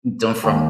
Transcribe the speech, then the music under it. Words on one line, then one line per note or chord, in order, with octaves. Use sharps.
done from
D#2 D#3